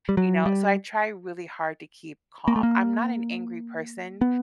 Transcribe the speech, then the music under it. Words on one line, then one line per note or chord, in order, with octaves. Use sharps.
You know? So I try really hard to keep calm, I'm not an angry person,
G3
F#3
G3
A#3
A3
A#3
B3